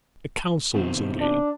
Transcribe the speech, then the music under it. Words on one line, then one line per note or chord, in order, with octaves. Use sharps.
A counsel is engaged.
B2 D#3 C4
D4